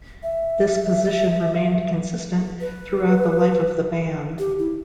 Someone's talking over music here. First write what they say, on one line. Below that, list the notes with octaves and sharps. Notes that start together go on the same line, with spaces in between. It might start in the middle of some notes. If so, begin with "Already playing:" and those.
This position remained consistent throughout the life of the band.
E5
B4
G4
E4